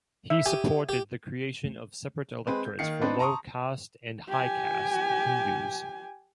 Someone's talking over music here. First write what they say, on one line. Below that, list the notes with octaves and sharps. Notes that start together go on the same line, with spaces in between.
He supported the creation of separate electorates for low caste and high caste Hindus.
E5
G4 G#5
G4
G#3 C4 B4
G6
D#3 A#3 C7 C#7
B3 C4 D4 D#4 B4
A5 A#5 C6 C#6 D#6
G4 G#5